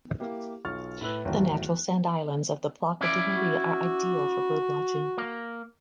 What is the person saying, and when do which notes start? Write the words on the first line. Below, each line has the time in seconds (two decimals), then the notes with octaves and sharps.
The natural sand islands of the Place du marais are ideal for bird watching.
0.20 A#3 E4 G4
0.65 B1 F4 C#6 F6 A6
1.01 A2 E4 B4 E6 F#6
1.25 D1 G#1 E2 A3 F#4 G5
3.01 C#4 E4 D5
3.37 F#4
5.18 A#3